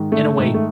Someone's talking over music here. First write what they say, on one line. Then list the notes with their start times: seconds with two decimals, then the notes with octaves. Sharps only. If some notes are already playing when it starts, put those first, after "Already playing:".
in a way,
Already playing: G#2 D#3
0.12 A3
0.37 G#2 D#3 A3
0.54 A3